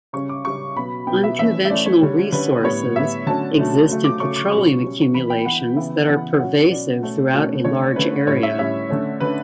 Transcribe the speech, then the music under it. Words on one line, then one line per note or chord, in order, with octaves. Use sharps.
"Unconventional resources" exist in petroleum accumulations that are pervasive throughout a large area.
C#3 G3 C#4 C#6
D6
C#3 G3 C#4 C#6
B2 F#3 B3 B5
B2 F#3 B3 G5
E5
E3 A3 C#4 E5
E5
E3 A3 C#4 D5
C#5
D3 G3 C#4
D3 G3 C#4 B4
A2 G3 B3 C#5
A2 G3 B3 E5
D3 F#3 A3 C#4 A5
D3 F#3 A3 C#4
C#3 F#3 A3 C#4
D6
C#3 F#3 A3 C#4 C#6
D6
B2 G3 C#4 C#6
B2 G3 C#4
E3 B3 B5
G5
E3 B3 F#5
C#3 E3 B3 E5
C#3 E3 B3 F#5
B2 F#3 C#4 F#5
B2 F#3 C#4 D5
B2 A3 C#4
B2 A3 C#4
D3 A3 C#4 C#5
D3 A3 C#4 B4
A2 G3 C#4 C#5
E5
A2 G3 C#4 E5
D3 A3 C#4
D3 A3 C#4 B4